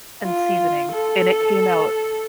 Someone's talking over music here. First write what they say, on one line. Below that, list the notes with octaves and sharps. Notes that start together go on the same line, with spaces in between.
and seasonings, and it came out
F4
A4